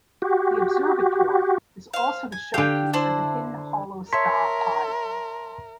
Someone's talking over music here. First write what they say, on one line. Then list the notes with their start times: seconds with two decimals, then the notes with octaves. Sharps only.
The Observatory is also the showpiece of the Hidden Hollow star party.
0.22 F#4 G4
1.94 C5 F5
2.32 G#5
2.54 D3 G4 F5 G5
2.94 D4 E4 C5
4.13 A#4 C#5 E5 A5 C6 B6